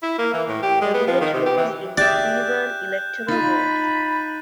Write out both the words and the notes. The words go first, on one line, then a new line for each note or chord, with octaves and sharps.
The village falls in the 'Severn' electoral ward.
E4
A#3
E3
A2
G4
G#3
B3
F3
D#3
C3
G4
E3
G4 G#4 D5 E5 F#6 G6 E7
D#4 F4 B5 A6 C7 D#7